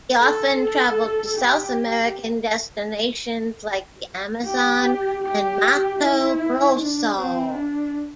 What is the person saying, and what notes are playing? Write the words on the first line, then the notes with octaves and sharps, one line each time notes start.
He often travelled to South American destinations like the Amazon and Mato Grosso.
A4
A4
G4
G4
G4
E4
D4
C4
D4